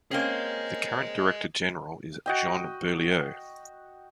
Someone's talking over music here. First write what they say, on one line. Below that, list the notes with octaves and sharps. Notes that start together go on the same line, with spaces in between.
The current director general is Jean Beaulieu.
A#3 C4 C#4 G#4 D#5
F#4 D#5 G5